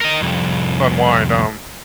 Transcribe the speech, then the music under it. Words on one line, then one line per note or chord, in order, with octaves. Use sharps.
unwind, um,
A#4 D#5
C2 F2